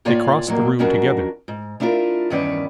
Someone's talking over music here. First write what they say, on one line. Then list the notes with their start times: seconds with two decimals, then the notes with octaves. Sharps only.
They crossed the room together.
0.05 A2 A#3 F4 C#5 D5 G#5
0.47 F2 A2 F#3 A#3
0.79 F2 F#3 C#4 D4 F#4 A#4
1.48 G#2
1.80 A3 D4 E4 F4 A4 A#4
2.30 E2 G2 D#3 C#4 B4 D5